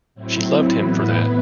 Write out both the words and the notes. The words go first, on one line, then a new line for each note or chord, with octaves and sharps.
She loved him for that.
A2 F#3 C4 E4
A2 E3 B3 E4 B4